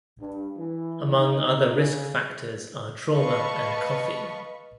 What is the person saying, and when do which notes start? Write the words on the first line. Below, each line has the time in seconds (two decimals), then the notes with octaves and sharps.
Among other risk factors are trauma and coughing.
0.20 G2
0.57 E3
1.18 D#4
1.77 C#3
3.11 B4 D#5 F5 A5 B5 C#6